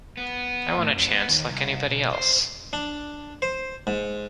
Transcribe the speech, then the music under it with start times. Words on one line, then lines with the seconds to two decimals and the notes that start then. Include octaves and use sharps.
I want a chance like anybody else.
0.17 B3
0.77 A2
0.92 F#2
1.08 B3
1.28 D#2
1.50 C2
1.89 B1
2.13 C5
2.73 D4
3.42 C5
3.87 G#2